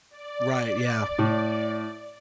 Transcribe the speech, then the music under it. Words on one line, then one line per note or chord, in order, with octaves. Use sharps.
Right, yeah.
D5
A2